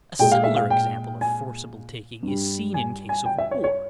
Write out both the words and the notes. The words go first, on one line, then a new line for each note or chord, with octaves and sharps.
A similar example of forcible taking is seen in case of war.
A#2 G#3 G5
F5
E5
F5
G5
G#5
G2 G3
G#5
G#5
G5
E5
C#5
C#5